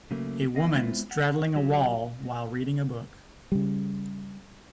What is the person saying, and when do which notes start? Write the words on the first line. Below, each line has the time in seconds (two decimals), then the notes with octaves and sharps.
A woman straddling a wall, while reading a book.
0.11 C#3 F#3 A3 A#3
0.55 B3 D#5 F5
0.75 G#3 B3 C4 E4 F4
1.11 F#5
1.56 F#3 G4
3.52 C#3 G3